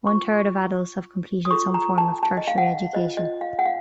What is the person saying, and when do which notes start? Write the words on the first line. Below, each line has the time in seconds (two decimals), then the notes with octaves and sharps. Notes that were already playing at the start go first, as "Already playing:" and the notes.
One third of adults have completed some form of tertiary education.
0.07 F4 C5 C#6
1.45 D#6
1.51 F4 A4 C#5 C#6
1.74 A#5
1.98 A5
2.23 A5
2.37 D#5
2.48 F5
2.58 F#5
2.93 F4 C5 D#5
3.17 D#5
3.41 F5
3.59 F#5
3.66 F5